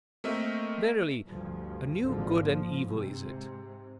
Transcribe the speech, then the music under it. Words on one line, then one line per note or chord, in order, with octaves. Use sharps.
Verily, a new good and evil is it!
A3 A#3 C4 A#4 D#5 E5
D2 G2 F3
G#1 D3 F3 A#3
F3
G#2 C3